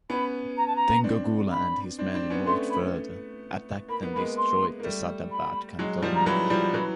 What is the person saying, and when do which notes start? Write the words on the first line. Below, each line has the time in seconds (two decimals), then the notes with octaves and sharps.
Then Gokula and his men moved further, attacked and destroyed the Sadabad cantonment.
0.09 B3 C#4 B5
0.56 A#5
0.66 A5
0.75 A#5
1.04 C4 D4
1.51 B5
1.99 C4 D4
2.14 C4 D4
2.30 B3 C#4
2.46 A3 B3 C6
2.70 B5
3.88 A#3 B5
4.03 B3
4.13 B5
4.16 G#3 A#3
4.37 C6
4.80 A#3
4.83 G3 A3
5.31 B5
5.79 F#3 G#3
6.02 F3 G3
6.14 A#5
6.26 E3 F#3 B5
6.50 F3 G3
6.74 E3 F#3